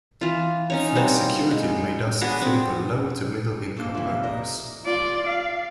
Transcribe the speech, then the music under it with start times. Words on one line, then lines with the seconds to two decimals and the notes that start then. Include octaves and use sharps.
Flexicurity may thus favour low- to middle-income earners.
0.21 E3 F4
0.70 C#4 D#4 C#5
0.95 G3 A#3 C4 F#4
1.51 G#3
2.21 B3 D4 F#4 G#4
2.41 C4
3.77 A#3 A4 C6
3.95 C3 E3 F4
4.23 A#4 C5 D5 D#5
4.85 F4 D5
5.27 F5